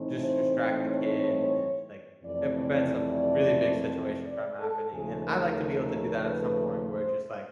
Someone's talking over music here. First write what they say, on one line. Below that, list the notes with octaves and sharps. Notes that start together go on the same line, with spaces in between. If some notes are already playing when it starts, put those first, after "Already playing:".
just distract the kid and then just, like, it prevents a b really big situation from happening, and I'd like to be able to do that at some point where just, like,
Already playing: A2 E3 A3 C4 D#4
C5
C#5
F2 C3 E3 A3 C4 D5
D5
D5
D5
A4
D#2 C#3 F3 A3 G#4
A#4
A#4
B4
C5